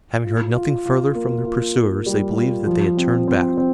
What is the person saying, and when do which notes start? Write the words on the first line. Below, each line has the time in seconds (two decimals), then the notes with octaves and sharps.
Having heard nothing further from their pursuers they believed that they had turned back.
0.24 F4
0.55 F4
0.86 F4
1.15 A#3
1.45 F4
1.77 F4
2.06 G3
2.37 F4
2.67 F3
2.97 C4
3.28 C4
3.57 C4